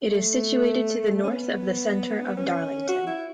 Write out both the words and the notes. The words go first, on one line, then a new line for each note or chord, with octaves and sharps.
It is situated to the north of the centre of Darlington.
A3
C#4
B3
C#4
F#4
E4